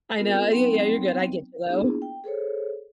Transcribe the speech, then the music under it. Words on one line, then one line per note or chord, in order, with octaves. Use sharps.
I know, yeah, yeah, you're good I get you though.
B3 C4 F4 G#4 A#4
F#3 B3 C4 D#4 G5
A#3 B3 D4 E4 F4 G#4
G5
G#4 A4 C5 C#5